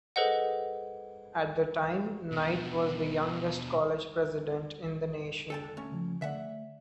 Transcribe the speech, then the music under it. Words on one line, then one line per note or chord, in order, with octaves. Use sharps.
At the time, Knight was the youngest college president in the nation.
G#4 A4 B4 C5 D#5 F#5
B2 D4
A4 G5 A5
A3 C#4
C#3 F3 G#5
D3 A3 D5 E5 F#5